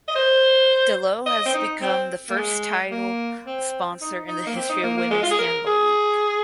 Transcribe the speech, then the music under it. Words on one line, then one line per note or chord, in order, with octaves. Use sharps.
Delo has become the first title sponsor in the history of Women’s Handball League.
D#5
C5
D#5
C4
D#4
C4
A#3
G#3
A#3
C4
D#4
D#4
A#3
C4
D#4
A#3
A#3
G#3
F4
G#4
A#4
G#4